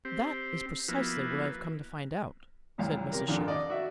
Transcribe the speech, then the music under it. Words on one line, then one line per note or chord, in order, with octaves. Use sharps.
"That is precisely what I have come to find out," said Mrs. Shadd.
C4 G4
F3 A#3 B3 E4 F#4
C2 F#2 A#2
C3 A#4
F2 A#2 D3
D5 D#5
F#4 E5